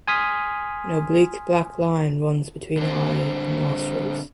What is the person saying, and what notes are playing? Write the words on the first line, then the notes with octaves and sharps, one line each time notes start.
An oblique black line runs between eye and nostrils.
G#5 C6 D#6 F6 B6
D3 C4